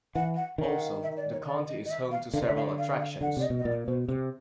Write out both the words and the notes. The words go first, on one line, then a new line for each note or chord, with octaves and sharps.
Also, the county is home to several attractions.
E3 F#5
F#5
D#3
F#5
F5
E5
D5
C#5
D5
D#5
D#5
E5
F5
D3 F5
C#3
D3 E5
F5
F5
F5
D3 F#5
C3 D5
D#5
B2
D#5
A#2 D5
B2 C5
C3